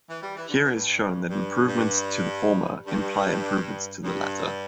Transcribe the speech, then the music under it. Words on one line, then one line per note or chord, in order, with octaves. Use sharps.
Here is shown that improvements to the former imply improvements to the latter.
E3
G3
E3
D3
B2
G2
G2
G2
G2
G2